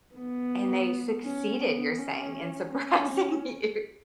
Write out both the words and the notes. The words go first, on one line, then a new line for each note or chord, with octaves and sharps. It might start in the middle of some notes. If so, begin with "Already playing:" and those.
and they succeeded, you're saying in surprising you.
B3
C#4
B3
C#4
C#4